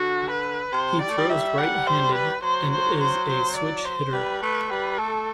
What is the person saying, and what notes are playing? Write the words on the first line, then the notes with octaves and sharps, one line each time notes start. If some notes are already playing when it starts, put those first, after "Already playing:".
He throws right-handed and is a switch-hitter.
Already playing: D3 F#4
B4
C3 C5
G3 D5
A3
G3
G3 E5
G3 F#5
C5
B4
F#3 C5
C5
C5
C5
D5
C5
G3 B4
A3 B4
G3 B4
A3 A4